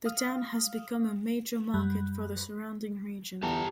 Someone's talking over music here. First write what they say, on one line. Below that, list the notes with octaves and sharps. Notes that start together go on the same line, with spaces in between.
The town has become a major market for the surrounding region.
F5 D#6 F6
F#2 G3 B5 F#6
E2 G4 A5 A#5